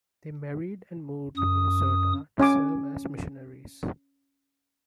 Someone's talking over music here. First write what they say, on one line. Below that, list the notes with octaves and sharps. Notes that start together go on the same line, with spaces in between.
They married and moved to Minnesota to serve as missionaries.
F#2 D#6
C#4 G#5 D6